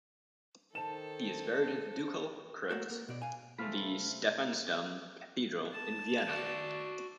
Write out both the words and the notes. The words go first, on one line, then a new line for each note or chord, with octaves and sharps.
He is buried in the Ducal Crypt in the Stephansdom cathedral in Vienna.
D#3 A4 C5 A5 E7
A3 A#3 F#4 A4 C#5
A#3
B2 D5
F5 G#5
C3 A3 A4 C5 F5 B5
A5
F#4 D5